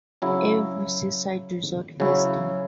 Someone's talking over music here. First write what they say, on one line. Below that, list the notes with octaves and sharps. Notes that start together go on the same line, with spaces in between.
Every seaside resort has them.
C#3 F#3 C#4 E4
C#3 F#3 C#4 E4